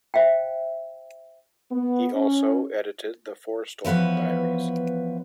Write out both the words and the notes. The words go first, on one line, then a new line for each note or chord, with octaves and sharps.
He also edited "The Forrestal Diaries".
C5 E5 F5 G5
B3
C#4
E3 F3 B3 B4 C#5